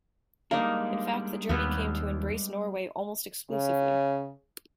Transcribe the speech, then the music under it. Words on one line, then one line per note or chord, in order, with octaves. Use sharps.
In fact, the journey came to embrace Norway almost exclusively.
G3 G#3 A#3 D4 D#4
D#2 B3
C#3